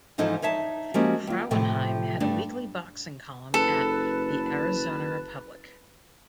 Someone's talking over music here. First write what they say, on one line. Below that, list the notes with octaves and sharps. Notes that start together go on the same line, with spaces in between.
Frauenheim had a weekly boxing column at "The Arizona Republic".
G#2 E3 F3 D#4 E4 A4
D#4 C#5 E5 A5
F3 G#3 A#3 C#4 F#4 G4
D#2 F4
A2 C3 F3 A3
G2 A3 D4
F#1 A4 B4 A5